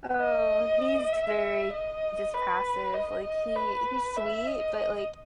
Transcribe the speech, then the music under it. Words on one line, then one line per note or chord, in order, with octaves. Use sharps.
So, he's very just passive, like, he he's sweet, but, like,
D#5
E5
D#5
B4
D#5
D#5
B4
E5
D#5